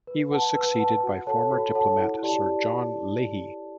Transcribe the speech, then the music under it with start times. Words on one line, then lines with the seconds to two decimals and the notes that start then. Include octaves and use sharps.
He was succeeded by former diplomat Sir John Leahy.
0.07 B4
0.31 F#5 A5
0.55 B4
0.79 F#5 A5
1.03 F#4
1.27 A4 C#5 F#5 A5
1.51 F#4
1.75 A4 C#5 F#5 A5
1.99 E4
2.23 G4 D5 A5